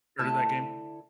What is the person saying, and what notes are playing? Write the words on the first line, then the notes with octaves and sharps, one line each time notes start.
heard of that game?
D2 E4 A4 A5